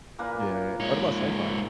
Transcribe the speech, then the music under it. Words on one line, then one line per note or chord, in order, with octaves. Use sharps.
Yeah. What about sci-fi?
A#2 A#3 B4
G#2 C#5